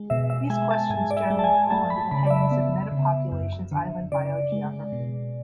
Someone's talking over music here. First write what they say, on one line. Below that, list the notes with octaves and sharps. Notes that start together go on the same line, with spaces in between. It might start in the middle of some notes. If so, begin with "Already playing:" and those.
These questions generally fall under the headings of metapopulations island biogeography.
Already playing: G#3
B2 E5
E5
G#3 G#5
A5
G#2 G#5
D5
E5
G#3
A5
G#5
A3 A5
B5
C#3 B5
D5
E5
B3
C#3
F#2
D3
C#3 D5
G#3
B2